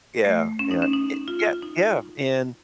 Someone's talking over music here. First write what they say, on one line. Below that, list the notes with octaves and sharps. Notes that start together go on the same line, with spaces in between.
Yeah, yeah, it yeah, yeah, and,
A3
C#4
D#4
C#4
D#4
F4
F4
D#4